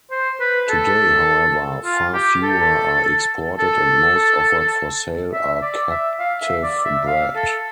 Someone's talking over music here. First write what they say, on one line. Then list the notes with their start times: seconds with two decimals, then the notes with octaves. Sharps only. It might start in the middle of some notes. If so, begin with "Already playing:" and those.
Today, however, far fewer are exported, and most offered for sale are captive bred.
0.11 C5
0.40 B4
0.69 A4
1.85 F4
2.14 G4
2.43 A4
3.59 A4
5.33 E5
5.62 D5
5.90 E5
6.19 F5
6.41 E5
6.63 D5
6.84 E5
7.06 F5
7.35 A4